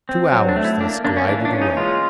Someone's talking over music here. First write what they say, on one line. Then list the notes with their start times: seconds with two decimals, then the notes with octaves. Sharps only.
Two hours thus glided away.
0.09 C4
0.32 F#3
0.49 D4
0.56 A3
0.65 E4
0.81 A#3 D4
1.05 A#3 D4
1.17 C#4
1.29 E3 D4
1.45 D4
1.53 C#4
1.62 D#4
1.77 G#3 F4